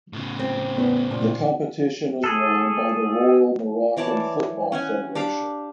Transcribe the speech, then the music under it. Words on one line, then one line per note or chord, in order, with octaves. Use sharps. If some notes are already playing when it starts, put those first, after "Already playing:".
The competition is run by the Royal Moroccan Football Federation.
A2 C#3
C4
E2 B3
A#2
G#4 A4
E3 C#5 D5 A5
C#4 F#5 G#5
D4 G4 F5 D6